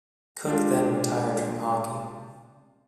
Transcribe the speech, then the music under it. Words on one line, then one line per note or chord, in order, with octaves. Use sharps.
Cook then retired from hockey.
G#3 D4 F4 G4